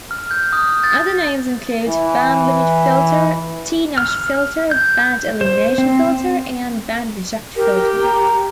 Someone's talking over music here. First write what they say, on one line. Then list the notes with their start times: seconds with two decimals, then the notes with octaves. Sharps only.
Other names include 'band limit filter', 'T-notch filter', 'band-elimination filter', and 'band-reject filter'.
0.11 F6
0.31 G6
0.53 D#6
0.84 A6
1.82 E3
3.98 F6
4.71 G6
5.41 C5
5.78 C4
7.56 G4 A#4
8.02 A#5